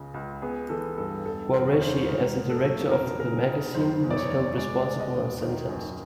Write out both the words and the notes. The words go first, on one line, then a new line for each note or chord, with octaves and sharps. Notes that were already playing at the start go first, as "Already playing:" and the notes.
Guareschi, as the director of the magazine, was held responsible and sentenced.
Already playing: C#2 C#3
C#2
B3 G#4
E3 A4
G2 A4
E1 A4
E1 A#4
C#5
C#3 C5
G#2 A#4
A#3
A4
F#3
F2 A#4
C#3 A#4
C#3
F#1 C5
E2
D5
C#5
E2
G#3 D5
G#3
D#5
D#2
D#3
F#2